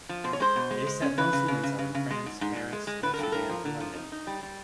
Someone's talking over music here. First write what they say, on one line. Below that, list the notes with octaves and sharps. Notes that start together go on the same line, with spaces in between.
It is set mostly in Southern France, Paris, Amsterdam, and London.
F3
B2 C5
C#5
G#3 C5
B2
G#3
G#3
C#4
C#3 B4
C#3
C#3
C#3
C#3
C#3
G#3
G#2
G#2
G#2
G#3
G#3
D3 B4
A#4
G2 A4
G2 A#4
F3
D3
F3
D#4
D#4
G3
G3